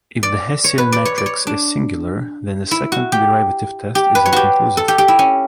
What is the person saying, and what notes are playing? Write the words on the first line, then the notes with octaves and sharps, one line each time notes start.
If the Hessian matrix is singular, then the second derivative test is inconclusive.
D5
C#5
B4
D5
C#5
D5
C#5
D4
E4
F#4
G4
G4
B4
C#5
F#4 G4
A4
G4
G4
E4
C#4